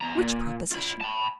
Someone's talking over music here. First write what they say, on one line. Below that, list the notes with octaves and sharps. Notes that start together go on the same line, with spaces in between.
"Which proposition?"
E2 A#5
A#2
F4 B5
A5 B5